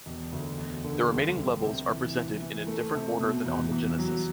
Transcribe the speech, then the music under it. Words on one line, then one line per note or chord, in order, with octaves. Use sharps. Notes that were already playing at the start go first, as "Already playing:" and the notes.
The remaining levels are presented in a different order than on the Genesis.
E1
D2
E1
D3
G3
D2
C3
E3
E3
E3
A3
C3
B2
E2
E2
F#3